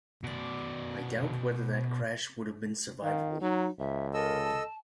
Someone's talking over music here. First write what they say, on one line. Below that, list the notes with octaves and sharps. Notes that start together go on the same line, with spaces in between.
I doubt whether that crash would have been survivable.
B2 D5
D#3 F5
F#3 D#4
C#2 E5
A4 A#4 D#5 E6
A5